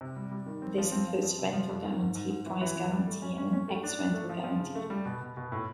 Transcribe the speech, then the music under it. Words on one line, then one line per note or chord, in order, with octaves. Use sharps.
This includes Rental Guarantee, Price Guarantee and an Ex-Rental Guarantee.
C3
G3
G3
D#3
C4
F3
C4
F3
F3
C3
F3
F2
D#3
G#2
G#2
G#2
E3
E3
E3
G3
A3
C#4
C#4
C#4
A3
D4
D4
A3
F3
F3
C#3
A3
G3
B2
B2
B2
A2